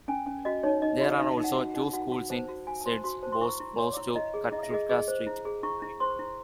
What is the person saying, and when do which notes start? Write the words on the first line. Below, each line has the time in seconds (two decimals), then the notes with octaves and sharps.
There are also two schools in Siedlce, both close to Kartuska Street.
0.08 C#4 G#5
0.26 C#4
0.45 F#4 D#5
0.63 D#4 C#5
0.82 D#4 D#5
1.00 F#4 D#5
1.19 D#4 E5
1.38 D#4
1.44 F#5
1.56 F#4
1.75 D#4
1.93 F#4 F#5
2.12 F#4
2.30 C5 A5
2.48 F#4
2.67 F#4 G#5
2.81 A5
2.86 C5 C6
3.04 F#4 C6
3.23 C5 A5
3.32 C6
3.41 E4 C#6
3.60 E4
3.78 C#5 C6
3.97 E4
4.15 E4 D#5
4.34 G#4
4.52 E4 D#5
4.63 E5
4.71 G#4 D#5
4.89 G#4 D#5
5.08 C5
5.27 E4
5.45 G#4
5.63 E4 C#6
5.82 E4
6.00 C5 C6
6.19 E4